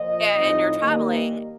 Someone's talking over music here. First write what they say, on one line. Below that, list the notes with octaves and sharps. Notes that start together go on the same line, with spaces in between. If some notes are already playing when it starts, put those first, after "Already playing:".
a and you're traveling
Already playing: A#2 F3 D#5
A2 F3 C4 D#4
D#3 G3 A#3